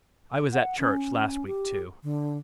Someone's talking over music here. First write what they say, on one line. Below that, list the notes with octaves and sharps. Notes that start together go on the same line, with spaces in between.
I was at church last week, too...
F#5
C#4
G4
D3